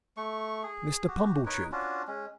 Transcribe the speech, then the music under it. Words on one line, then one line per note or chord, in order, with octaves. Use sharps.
"Mr. Pumblechook."
A3 C#6
G#4
F#4 G4
D#4 A#4 B4 C#5
C#4 D4 F4 F#4
G#3 C#4